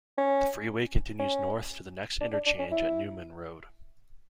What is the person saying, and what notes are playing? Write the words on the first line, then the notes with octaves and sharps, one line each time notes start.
The freeway continues north to the next interchange at Newman Road.
C#4
C#4
D4
D4
D4
C#4
E4